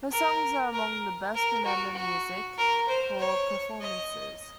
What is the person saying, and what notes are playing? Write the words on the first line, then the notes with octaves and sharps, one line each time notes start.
Her songs are among the best-remembered music hall performances.
A#4
A#4
A#4
F#4
F#4
A#4
C5
C#5
D#5